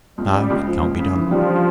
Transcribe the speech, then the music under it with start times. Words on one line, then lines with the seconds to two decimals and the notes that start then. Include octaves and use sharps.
Now, it can't be done.
0.18 C#2 G3
0.34 C#3
0.50 C#2
0.66 F3
0.83 C#2
0.99 C#3
1.15 E3 F3
1.31 G3
1.48 D4